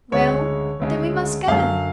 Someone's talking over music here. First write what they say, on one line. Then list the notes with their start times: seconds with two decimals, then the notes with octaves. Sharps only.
"Well, then we must go!"
0.12 D2 C#3 G#3 C#5
0.80 D2 C#3 G#3
1.47 F#2 D3 F#3 F5